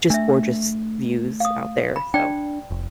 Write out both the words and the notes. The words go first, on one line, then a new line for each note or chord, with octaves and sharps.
just gorgeous views out there. So,
A3 D4 E5
F5 D#6
B5
D4 D5 G5
F1